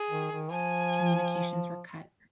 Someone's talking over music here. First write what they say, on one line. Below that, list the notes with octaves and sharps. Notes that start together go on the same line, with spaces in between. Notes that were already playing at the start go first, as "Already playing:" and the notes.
Communications were cut.
Already playing: G#4
D#3
D#3
F3 G#5